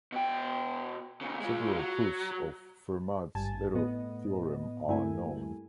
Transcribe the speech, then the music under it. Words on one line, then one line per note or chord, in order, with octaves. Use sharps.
Several proofs of Fermat's little theorem are known.
B2 G5
A#2 C#3
G#3 F4
F#3
G#1 G2 G#5 A5 A6
A2 B3 D#5
G2 A3 A#3 C4 E4 G#5